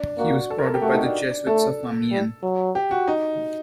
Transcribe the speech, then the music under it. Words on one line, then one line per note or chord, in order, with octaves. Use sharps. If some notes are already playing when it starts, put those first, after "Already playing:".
He was brought up by the Jesuits of Amiens.
Already playing: D4
A#3 F#4
A4
A#4
A4
G4
A3 F#4
D#4
D4
A3 A4
G3
F#3
G4
F#4
D#4